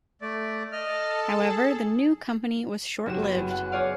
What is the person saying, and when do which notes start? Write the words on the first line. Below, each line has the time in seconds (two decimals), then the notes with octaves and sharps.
However the new company was short-lived.
0.22 A3 D5
0.72 A4 D#5 A5 F6
1.49 G#4
3.06 F#1 F#4 G4 E7
3.22 B3
3.36 F#2
3.50 F#5
3.72 G#4 C#5 D5 F5